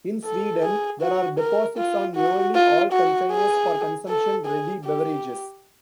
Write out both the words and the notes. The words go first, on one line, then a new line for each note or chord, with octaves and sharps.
In Sweden, there are deposits on nearly all containers for consumption-ready beverages.
A4
G#4
F#4
A#4
F4
F#4
F4
F#4
G#4
A4
G#4
G4